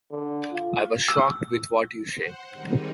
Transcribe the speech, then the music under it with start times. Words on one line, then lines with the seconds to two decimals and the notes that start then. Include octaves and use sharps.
I was shocked with what you said.
0.11 D3
0.52 F4
1.08 E6
2.10 C5 F#5
2.50 D#3 G3 G#3 C4 D#4